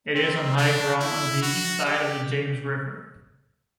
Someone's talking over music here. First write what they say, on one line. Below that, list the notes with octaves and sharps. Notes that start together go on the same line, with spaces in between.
It is on high ground on the east side of the James River.
C4
D4
E4
F#4
G4